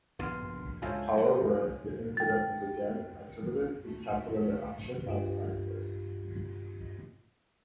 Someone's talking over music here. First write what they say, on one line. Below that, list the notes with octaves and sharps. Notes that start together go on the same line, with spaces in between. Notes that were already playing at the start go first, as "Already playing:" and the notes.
However, the incident was again attributed to capillary action by scientists.
A#1 G2 D3 B3 C6 F6
C#2 G2 F4 A4 C5 C#5 E5 G#5
A#2
G5 A6
A3
G2 F4 G4